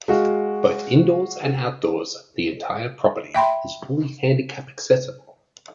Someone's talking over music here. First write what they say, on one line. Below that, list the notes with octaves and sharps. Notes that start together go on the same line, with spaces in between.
Both indoors and outdoors, the entire property is fully handicap accessible.
G#3 F#4 F5
E5 G5 B5 C6